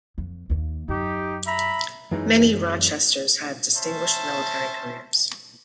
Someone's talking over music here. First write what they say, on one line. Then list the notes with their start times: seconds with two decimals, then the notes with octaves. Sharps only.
Many Rochesters had distinguished military careers.
0.18 F2
0.50 D#2 A#3
0.89 F#2 D#4 G4
1.47 E5 A#5 B5
2.11 F#2 E3 F#3 G#3 D#4
3.75 C#4 C5 E5 A5